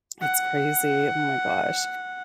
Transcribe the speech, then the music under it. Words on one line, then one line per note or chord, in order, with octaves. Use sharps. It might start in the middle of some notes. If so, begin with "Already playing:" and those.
It's crazy. Oh my gosh.
F#5